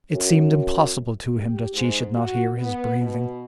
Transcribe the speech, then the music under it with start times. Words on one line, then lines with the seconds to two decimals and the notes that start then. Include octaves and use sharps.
It seemed impossible to him that she should not hear his breathing.
0.14 F#2
1.39 G4
1.73 G#2
2.14 F#4
2.57 B3
2.98 B2